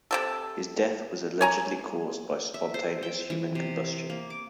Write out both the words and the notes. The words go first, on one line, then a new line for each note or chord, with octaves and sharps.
His death was allegedly caused by spontaneous human combustion.
C3 F3 A4
C#5 G#5 A#5
E5
C5
G5
E3
C3
A#3
D6